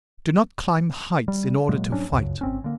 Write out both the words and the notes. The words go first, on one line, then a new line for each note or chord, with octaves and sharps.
Do not climb heights in order to fight.
G3
A#2 F#3 G#3 A#3
G#2 F#3 C#4 D4
C#2 F#2 C#3
G#1 C4 C#4
D3 A#3